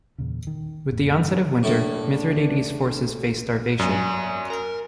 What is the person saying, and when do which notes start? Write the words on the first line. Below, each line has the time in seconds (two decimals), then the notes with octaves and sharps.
With the onset of winter, Mithridates's forces faced starvation.
0.18 E2 A#2 C#3
0.47 D#3
0.90 F2 A2 A#3
1.15 G2 F3
1.63 E2 A2 D4 E4 A4
3.79 F#2 D5 G#5
4.50 A#4